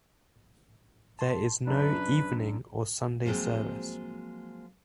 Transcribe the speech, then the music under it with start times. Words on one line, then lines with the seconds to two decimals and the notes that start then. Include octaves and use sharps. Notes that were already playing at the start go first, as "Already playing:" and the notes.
There is no evening or Sunday service.
1.19 A5 C6
1.67 F#2 C#3 D4 B4
3.26 F3 F#3 G#3 A#3 C4